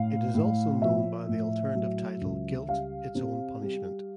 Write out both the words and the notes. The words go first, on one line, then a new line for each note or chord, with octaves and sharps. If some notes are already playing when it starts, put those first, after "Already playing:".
It is also known by the alternative title Guilt Its Own Punishment.
Already playing: A2 F5
A2
F3 E5
A2
F#3
C#2
G3 F5
C3
G3